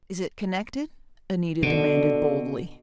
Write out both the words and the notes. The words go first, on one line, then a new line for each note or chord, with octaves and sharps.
"Is it connected?" Anita demanded boldly.
B2 D3